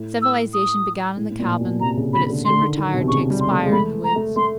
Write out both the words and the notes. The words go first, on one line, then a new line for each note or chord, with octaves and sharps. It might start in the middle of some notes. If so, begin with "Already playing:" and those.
Civilization began in the cabin, but it soon retired to expire in the woods.
Already playing: A2
E6
D#6
A2
A2
A#2
B2
C3 A#5
C#3
D3 B5
D3
D3 C6
D#3
D#3
B2
C3
C#3 C#6
G3
C6
A3
G#3
A3 B5
A#5
A3
A3 C6